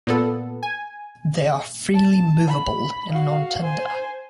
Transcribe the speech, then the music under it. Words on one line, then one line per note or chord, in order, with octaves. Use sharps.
They are freely movable and nontender.
A#2 B3 A4
G#5
A5
B5
F#4 F5
C5 G#5